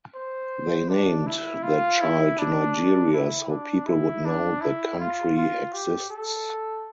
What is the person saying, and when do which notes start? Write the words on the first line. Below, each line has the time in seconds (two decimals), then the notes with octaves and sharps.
They named their child Nigeria so people would know the country exists.
0.15 C5
0.89 D4
1.27 E4
1.63 F4
2.01 E4
2.39 D4
3.13 E4
3.49 D4
3.87 E4
4.25 D4
4.61 E4
5.00 F4
5.37 F4
5.74 G4
6.10 A4